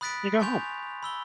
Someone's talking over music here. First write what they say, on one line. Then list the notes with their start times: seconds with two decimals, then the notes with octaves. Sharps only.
you go home.
0.01 B5 D#6 F#6 A6 B6 D7
0.40 G#5 C6 C#6 G6 F7
1.03 B5 E6 G7